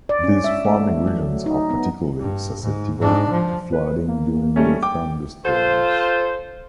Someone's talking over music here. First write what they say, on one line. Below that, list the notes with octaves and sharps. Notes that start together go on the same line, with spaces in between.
These farming regions are particularly susceptible to flooding during the thunderstorms.
D5
C#4
E5
A3
F#3
D#4
B3
G2
G#2
G#2 D4
F3
B4
A#3
G3 A3 C#4
G5 D6
F4 A4 C5